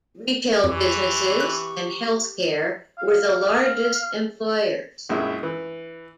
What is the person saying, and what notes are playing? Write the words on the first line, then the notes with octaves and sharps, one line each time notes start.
Retail businesses and health care were the largest employers.
F2 E3 G4 C#6
F#6
F5
A#1 F#2 G#3 E4 E5
E3